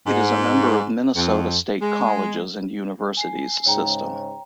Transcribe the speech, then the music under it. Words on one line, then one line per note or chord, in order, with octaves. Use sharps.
It is a member of Minnesota State Colleges and Universities system.
G#2
F2
G#3
G#5 C7
G#2 C#3 C#5 G5 A#5